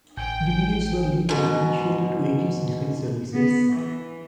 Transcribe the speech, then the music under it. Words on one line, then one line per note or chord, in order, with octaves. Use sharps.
The videos were linked unofficially to Aegis Defence Services.
A1 G5 G#5 G6
G#2 B2
B3
E3